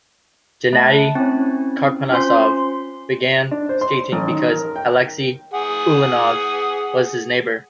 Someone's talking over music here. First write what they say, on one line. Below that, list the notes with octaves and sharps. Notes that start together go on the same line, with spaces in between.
Gennadi Karponosov began skating because Alexei Ulanov was his neighbor.
A3 A5
C4 C#4 E4 C#5
C#4 F4 C5 C6
D4
C5
C6
A1
D#3
A#4
G5
G#4 F#5